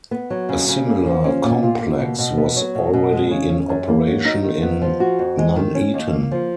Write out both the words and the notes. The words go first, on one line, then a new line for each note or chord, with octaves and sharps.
A similar complex was already in operation in Nuneaton.
B3
F#3
C#3
C#3
A#3
F3
C#4
A#2
F4
A#3
B2
B2
B3
F#3
B2
B2
G#3
C#3
C#4
F#2
A#3
F#3
D#4
D#3
B3
F3
F#4
F2
G#3
D#3
C#4
D#2
A#3
F3